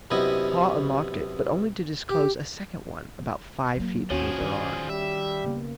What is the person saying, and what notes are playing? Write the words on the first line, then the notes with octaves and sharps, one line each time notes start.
Haw unlocked it, but only to disclose a second one about five feet further on.
F#2 C3 B3 E4 D#5 D#6
G4
F#3 A#3
D#2 F3 C#4 F#4 G#4 C#5
D#3 D5
G3 E5
C#3 A#3 B3